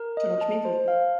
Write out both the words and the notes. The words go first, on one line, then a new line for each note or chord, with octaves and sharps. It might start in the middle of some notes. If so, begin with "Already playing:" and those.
Do you wanna watch a movie with me?
Already playing: A#4
D#5
A5
C5
F5